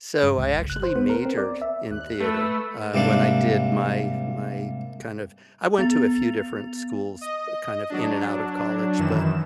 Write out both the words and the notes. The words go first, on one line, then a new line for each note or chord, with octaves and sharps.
So I actually majored in theater, uh, when I did my my kind of I went to a few different schools kind of in and out of college, but
G2
C#2
G1
F#6
C5
B3
A#4
C4
D5
E5
D#2 F#6
A3 B4 E6
G#2 C3 G3 A#3 D4
B3 A6 F7
D#5
F#3 D4
F#2 D#3 E3 E7